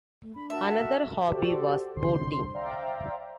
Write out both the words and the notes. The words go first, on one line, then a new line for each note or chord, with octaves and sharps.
Another hobby was boating.
A3
D4 B5
F#4 A#4 E5 A5
A4
F#4 G4 A4 C5 D5
C2 D3 C5 C6
C5 D5 E5 F5 G5 A#5